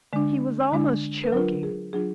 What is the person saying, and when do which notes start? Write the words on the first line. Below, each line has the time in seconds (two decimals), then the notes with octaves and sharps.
He was almost choking.
0.13 D3 G#3 D4
0.72 D3 G#3 D4
1.24 B4
1.32 F#3 D4 F4 A#4
1.63 G#4
1.93 F#3 D4 F4 G#4